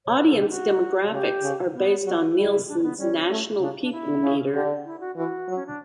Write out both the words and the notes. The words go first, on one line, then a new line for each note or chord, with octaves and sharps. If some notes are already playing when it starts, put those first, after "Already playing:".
Audience demographics are based on Nielsen's national People Meter.
C#5
B4
A4
G4
F#4
C#3 G4
C#3
B3
F#3 F#4
G3 E4
D4
C#4
B3
G3 C#4
A3
C#3 D4
D4
E4
C#3
D3 G4
E4
F#4
E3 F#4
F#3
C#4
D4